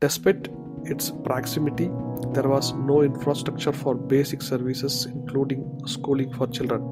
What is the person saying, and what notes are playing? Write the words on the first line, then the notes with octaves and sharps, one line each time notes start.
Despite its proximity, there was no infrastructure for basic services including schooling for children.
E3
B3
C#3 A#3 C#4
F#4 A#4
A#3 E4 G#4
C#4 E4
D#3 B3 D#4
A#3 C#4
F#3 B3 D#4
C#4 E4
A#2 D#4 F#4
C#4 E4
A#3
B3
B2 A#3 C#4
A#3 C#4
F#3 B3 D#4
C#4 E4
B2
D#4 F#4
E4
E3 D#4 F#4
C#3
G#3 C#4 E4
B3
D#3 A#3
B3
E3
C#3
F#3 A#3 C#4
D#3
A#3 B3
B3
B2
B3
A#3
B3
D#3
A#3
F#3
C#3
A#3 B3
B2
A#3
B3
B2 A#3 C#4
A#3 C#4